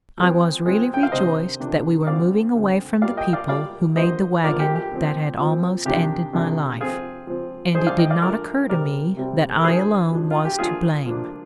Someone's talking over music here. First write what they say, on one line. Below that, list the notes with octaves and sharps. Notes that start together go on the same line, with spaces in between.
I was really rejoiced that we were moving away from the people who made the wagon that had almost ended my life, and it did not occur to me that I alone was to blame.
F3 G#3 C4
F3 G#3 C4
G5
F5
C3 D#3 A#3 D4 C5 D#5
C3 D#3 A#3 D4
D3 G#3 C4 D5 F5
D3 G#3 C4
A#2 G3 A#3 D5 F5
D#5 G5
D5 F5
A#2 G3 A#3 D5 F5
D3 F3 A#3 C5 D#5
D3 F3 A#3 A#4 D5
G4 A#4
G4
A#2 F3 C4
A#2 F3 C4
C3 D#3 G#3 D4 G4
C3 D#3 G#3 D4
F3 C4 F4 G#4
F3 C4
F3 G#3 D4 G#4 C5
D5 F5
D#5 G5
D5 F5
F3 G#3 D4 A#4 D5
C3 G3 C4 A#4 D5
C3 G3 C4
A#4
F3 G#3 D4 G#4 C5
F3 G#3 D4
F4
G4
F3 A#3 D4 F4 G#4
F3 A#3 D4